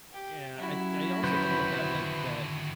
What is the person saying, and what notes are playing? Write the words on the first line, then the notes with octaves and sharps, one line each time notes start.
Yeah, I th I also think that, like, that,
G4
F#3 C#4 E4 F#4
D3 D#3 B4 C5